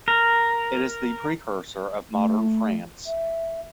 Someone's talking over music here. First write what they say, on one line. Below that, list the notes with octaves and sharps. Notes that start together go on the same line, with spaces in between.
It is the precursor of modern France.
A#4
A3
E5